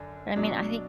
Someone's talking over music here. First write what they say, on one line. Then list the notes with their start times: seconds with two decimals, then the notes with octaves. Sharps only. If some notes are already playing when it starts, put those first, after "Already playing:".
I mean, I think
Already playing: F#2 D3 D4
0.36 B2 F#3 D4